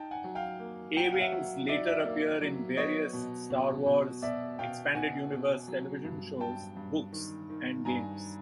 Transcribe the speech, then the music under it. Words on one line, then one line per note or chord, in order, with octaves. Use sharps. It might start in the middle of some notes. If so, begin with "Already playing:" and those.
A-wings later appear in various "Star Wars" Expanded Universe television shows, books, and games.
Already playing: D#4 G5 A5
F#5 G#5
F#3
F5 G5
A#3
F#3 G5
F#5
F5
E5 F#5
F#3
D#4 D5 E5
D5 E5
A#3
F#3
B3 C#5 D#5
B2
B2
B2
B2 D5 E5
B2 F5 G5
B2 F#5 G#5
B2
F#3
G2
G2 G5 A5
G2
D#3
D#3
G2 G#5 A#5